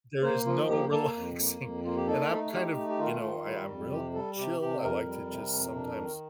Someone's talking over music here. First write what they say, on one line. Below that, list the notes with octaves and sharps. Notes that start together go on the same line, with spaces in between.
There is no relaxing, and I'm kind of ,you know, I I'm real chill, I like to just sometimes
A#3 C5
F3 F4
A#3 G4
A#3 A4
F2
A#3
F2
A#3 F4
G4
D#4 A4
A3
D#4 G4
A3
G4
D#3 F4
D#3
G3
F2
C3 G4
G3 A4
C3 G4
C3 G4
F2 A#4
G3
C3
F2
D4
D#3